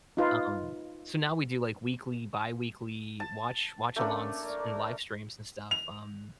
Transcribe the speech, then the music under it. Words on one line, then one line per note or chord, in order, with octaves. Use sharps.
Um, so now we do, like, weekly, biweekly watch watch-alongs and livestreams and stuff, um.
D#4 F4 B4
A5
A3 A#3 C#4 D4
A#4 D5
F7